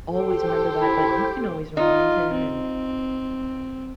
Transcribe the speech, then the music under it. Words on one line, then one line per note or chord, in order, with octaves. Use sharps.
always remember that, but you can always remind him, and
G4 A4 C5 G5
E4
D#4 F4
C4